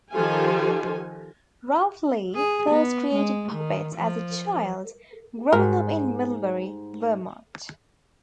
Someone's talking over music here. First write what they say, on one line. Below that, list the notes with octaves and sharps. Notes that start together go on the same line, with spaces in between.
Ralph Lee first created puppets as a child growing up in Middlebury, Vermont.
D#3 F3 F4 G4 A4 G#5
G#4
B3
G#3
D#3
F3
G#2 G3 A#4